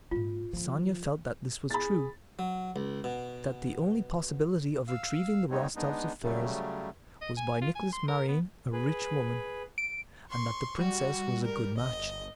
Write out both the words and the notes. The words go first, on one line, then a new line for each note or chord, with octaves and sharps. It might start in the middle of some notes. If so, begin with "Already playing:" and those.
Sonya felt that this was true: that the only possibility of retrieving the Rostovs' affairs was by Nicholas marrying a rich woman, and that the princess was a good match.
G#2 A#3 F4
D3 F3 A#3
G#4 B5 A6
F#3
C#2
B2
F5 E6
G3 G#3 B3 C4 D#4 C#5
G#3 B3 D4 D#4
C#3 F#3 G3 A3
D#5
G#5
F4
G#5
C6
A#4
B3
G#4 B4
D7
C6 C#6
G3 F#4
A#4
G1 D#5